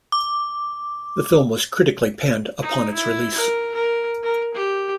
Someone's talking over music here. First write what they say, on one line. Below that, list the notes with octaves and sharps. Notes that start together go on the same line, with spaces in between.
The film was critically panned upon its release.
D6
D#4
E4
A#4
A#4
A#4
G4